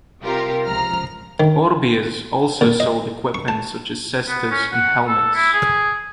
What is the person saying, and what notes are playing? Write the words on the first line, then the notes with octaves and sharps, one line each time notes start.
Orbea's also sold equipment such as cestas and helmets.
C3 G3 F4 G4 A#4
C#2 F3 A#5 F6
D#3
A#2
D#5
C#6
A5
B3
C#4
F#5
A4
E4
G#4